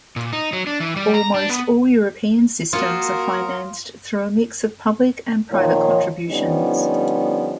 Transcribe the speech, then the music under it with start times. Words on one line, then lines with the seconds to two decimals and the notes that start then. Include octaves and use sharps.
Almost all European systems are financed through a mix of public and private contributions.
0.16 A#2
0.33 D#4
0.53 F#3
0.67 D4
0.80 E3
0.96 G3
1.14 A#5
1.34 D4
1.49 B3
2.73 A#3 F4 F#4 A#4 D#6 G#6 C#7
5.52 A#2 D#3 F3 D#4 C#5
6.29 D3 F3 G3 B3 C#4 D#4